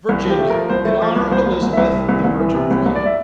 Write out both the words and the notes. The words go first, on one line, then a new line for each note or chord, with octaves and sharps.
Virginia--In honor of Elizabeth, the "Virgin Queen."
C2
F3
G4
A3
F3 A#4
C2 C5
A3
F3
C2
C2 C5
C2
A#4
C2
C2 E5
C3
C2
C2
E3
C3
C2
C2
D5
E5